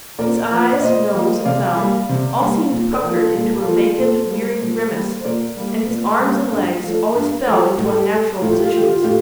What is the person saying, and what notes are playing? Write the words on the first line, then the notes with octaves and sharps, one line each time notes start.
His eyes, nose, and mouth all seemed puckered into a vacant, wearied grimace, and his arms and legs always fell into unnatural positions.
A#2 A#4 D5
F3 A#3
D5
A#2 C5 D#5
F3 A#3
C3 D5 F5
G3 A#3
C3
G3 A#3
A#2
A#4 D5
F3 A#3
F4 A4
A#2 A4
A#4
F4 A4
F3 A#3
A#2 A4 C5
G3 A#3
A#2
G3 A#3
C5
A#2 A#4 D5
G3 A#3
A#2
G3 A#3
G2
F3 A3
G2
F3 A3
A2 G4
A4
G4
A3
A2 F4
G4
F4
A3 G4
F4
F4
A2 G4